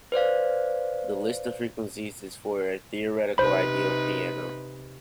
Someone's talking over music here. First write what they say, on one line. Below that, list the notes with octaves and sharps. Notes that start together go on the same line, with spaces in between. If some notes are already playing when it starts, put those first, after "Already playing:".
This list of frequencies is for a theoretically ideal piano.
B4 C5 D5 F5
C3 D#4 B4 C5 B5